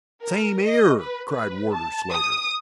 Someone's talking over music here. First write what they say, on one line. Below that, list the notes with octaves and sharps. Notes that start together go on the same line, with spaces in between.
"Same 'ere!" cried Warder Slater.
A#4
D#5
B4
B4
A5
D#6